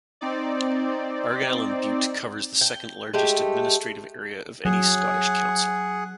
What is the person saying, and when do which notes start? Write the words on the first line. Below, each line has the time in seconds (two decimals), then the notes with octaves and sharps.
Argyll and Bute covers the second largest administrative area of any Scottish council.
0.21 C4 D#4 D5
2.61 G5
3.14 G#3 A3 G4
4.65 F#3 G#4 F#5